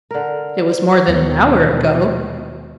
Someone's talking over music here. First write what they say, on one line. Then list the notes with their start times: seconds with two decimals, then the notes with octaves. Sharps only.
It was more than an hour ago.
0.11 D3 A#4
1.08 D#2 B2 G#3